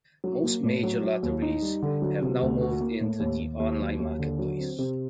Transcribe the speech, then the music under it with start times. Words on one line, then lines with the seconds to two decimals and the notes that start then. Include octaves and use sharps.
Most major Lotteries have now moved into the online marketplace.
0.24 F#3
0.43 A#3
0.63 A2
0.83 F#3
1.03 F#3
1.23 D#2
1.42 D#4
1.62 G3
1.82 D3
2.02 F#3
2.22 C3
2.41 D2
2.61 F#4
2.81 A#3
3.01 A2
3.20 D#2
3.40 D#2
3.60 D#2
3.80 F#3
4.00 D#2
4.19 D3
4.39 F#3
4.59 C4
4.79 C3